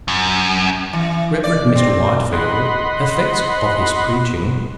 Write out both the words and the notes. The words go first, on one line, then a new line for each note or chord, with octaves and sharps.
Rev. Mr. Whitefield. Effects of his Preaching.
F#2
E3
D5
C4
D#5 F#5 B5 C6